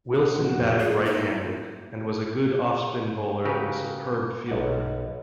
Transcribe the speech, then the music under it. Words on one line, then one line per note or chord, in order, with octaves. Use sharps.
Wilson batted right-handed, and was a good off-spin bowler and a superb fielder.
D6 D#6 F#6
A#2 F3 F#4 F#5
F2 G4 G5
F4 G#4 D5
A#3 D#4 E4
C#3 F#4 G4 A#4 B4
B1 F#5